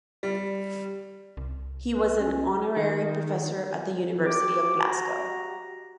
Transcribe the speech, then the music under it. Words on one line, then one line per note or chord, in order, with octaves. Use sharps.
He was an honorary professor at the University of Glasgow.
G3
C2
B4
C#4
D#3
F#4 G4 D6
A#5